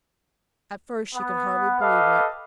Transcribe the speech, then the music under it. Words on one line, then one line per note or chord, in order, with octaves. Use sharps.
At first she could hardly believe it.
B3
G4 A4 B4 D#5 F5